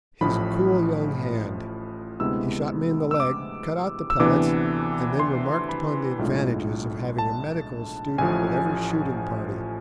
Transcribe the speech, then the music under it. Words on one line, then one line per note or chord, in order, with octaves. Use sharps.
He is a cool young hand; he shot me in the leg, cut out the pellets, and then remarked upon the advantages of having a medical student with every shooting party!
A1 A2 F3 B5
D2 C3 G#3 B3 E4 E6
E6
D6
E6
D2 C3 E3 B3 D4 D6
C6
B5
B1 A2 G#3 D4 F4
A5
A1 A2 F3 G#5